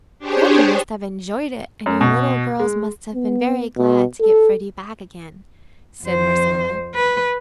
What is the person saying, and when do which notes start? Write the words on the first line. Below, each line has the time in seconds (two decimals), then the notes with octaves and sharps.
"Freddy must have enjoyed it and your little girls must have been very glad to get Freddy back again!" said Marcella.
0.19 D4 G4 G#4 C5 C#5
1.86 F#2
2.01 B2
2.60 G#3
3.15 B3
3.77 B2
4.20 A4
6.04 F2 C5
6.95 B4